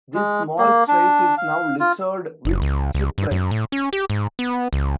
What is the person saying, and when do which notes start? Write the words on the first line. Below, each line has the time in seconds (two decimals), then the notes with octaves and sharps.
This small strait is now littered with shipwrecks.
0.14 G#3
0.59 A#3
0.88 D4
1.37 F5
1.80 F4
2.45 F#1
2.62 C#2
2.95 C#2
3.18 G2
3.31 F#2
3.51 A2
3.72 C#4
3.93 G4
4.10 G#2
4.39 B3
4.73 C#2